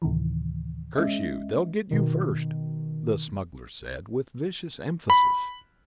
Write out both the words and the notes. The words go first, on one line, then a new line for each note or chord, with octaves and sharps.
"Curse you, they'll git you first!" the smuggler said, with vicious emphasis.
D2 A2 C3 D#3 E3
G#3 C#4 D#5 E5
B2 D#3
B5